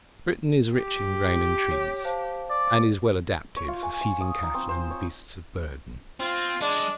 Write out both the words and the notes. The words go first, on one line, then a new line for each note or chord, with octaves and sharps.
Britain is rich in grain and trees, and is well adapted for feeding cattle and beasts of burden.
G4
C#5
C5 F5 A5
D5
C#5
F4
G#5
C#6
D#6
D#4
C4
C5
C#5
C4 F4
G#3 D4